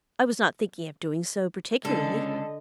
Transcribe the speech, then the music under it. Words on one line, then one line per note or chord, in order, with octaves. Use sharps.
"I was not thinking of doing so particularly."
C#2 D3 A4 D#5